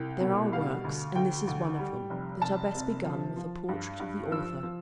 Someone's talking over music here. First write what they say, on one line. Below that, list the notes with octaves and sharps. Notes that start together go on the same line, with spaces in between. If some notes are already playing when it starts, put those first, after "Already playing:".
There are works, and this is one of them, that are best begun with a portrait of the author.
Already playing: C2 G5
B2
G3 F5
D2
D2 G5
D2
G3
F1
F1 A5
C3
F3
F3
G2
G2
F3 E6
F3